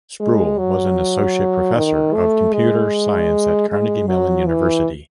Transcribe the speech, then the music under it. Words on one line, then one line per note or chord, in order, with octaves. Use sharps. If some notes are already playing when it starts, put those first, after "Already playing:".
Sproull was an Associate Professor of Computer Science at Carnegie Mellon University.
G#3
F#3
D#3
A3
G#3
G#3
F#3
E3